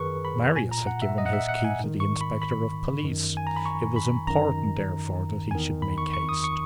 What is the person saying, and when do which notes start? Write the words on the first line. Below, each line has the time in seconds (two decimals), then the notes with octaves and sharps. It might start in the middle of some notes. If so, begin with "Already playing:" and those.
Marius had given his key to the inspector of police; it was important, therefore, that he should make haste.
Already playing: F#2 D#3 G#4 A#4 B4 C#6
0.25 B5
0.56 A#2 G#5
0.71 A#5
0.87 F#5
1.02 E5
1.18 D#5
1.26 F#5
1.33 E5
1.48 F#5
1.64 G#5
1.80 G#2 D#3
2.00 C#6
2.21 B5
2.42 B5
3.03 F#2 D#3
3.37 G#5
3.47 A#5
3.56 B5
3.66 C#6
3.96 B5
4.27 F#2 D#3 A#5
5.51 E2 D#3 G#5
5.82 B5
5.98 C#6
6.13 C#6
6.29 D#6
6.44 C#6